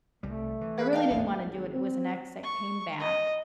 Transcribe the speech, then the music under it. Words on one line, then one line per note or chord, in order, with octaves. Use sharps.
I really didn't wanna do it, it was an ex that came back
C2 G3 A3
E3
G#4 B4
D5 F5 G5 A5
D#1 A1 F2 E5
G#1
C4
C#6
D#5